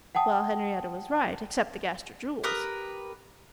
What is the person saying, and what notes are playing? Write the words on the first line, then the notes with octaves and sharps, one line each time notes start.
Well, Henriette was right--except the Gaster jewels.
F#5 G5 A5 D#6
G4 A#4 B4 D#6